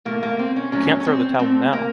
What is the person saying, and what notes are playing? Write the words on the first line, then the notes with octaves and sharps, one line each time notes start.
You can’t throw the towel now!
A2 A3 A#3
A#3
C4
C#4
A#2 F#3 A3 C#4
C#4
C4
A#2 A3 C4
A#3